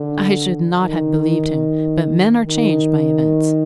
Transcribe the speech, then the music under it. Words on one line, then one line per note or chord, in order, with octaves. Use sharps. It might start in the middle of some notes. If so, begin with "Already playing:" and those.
"I should not have believed him; but men are changed by events."
Already playing: D3
D#3
D#3